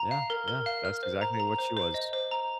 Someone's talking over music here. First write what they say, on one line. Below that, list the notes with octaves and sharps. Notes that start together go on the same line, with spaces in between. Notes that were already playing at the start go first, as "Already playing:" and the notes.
Yeah, yeah, that's exactly what she was.
Already playing: A#5
F5
A#4
A#4
F5
F6
C5
A#5
A#5
C5
C5
D#5
C5
A#5